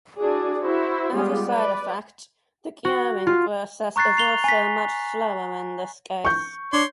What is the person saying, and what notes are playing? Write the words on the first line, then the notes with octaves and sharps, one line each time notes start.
As a side-effect, the curing process is also much slower in this case.
D4 E4 F#4 G#4 D5
E4 F#4 C5 E5
G3 G#3 B3 F4 G4 G#4
B4 D5
F#4
F4
A#5 C#6 F#6 A6 C7
C7 F7 G7
G#5 B6
C#6 G6
D4 C#5 C6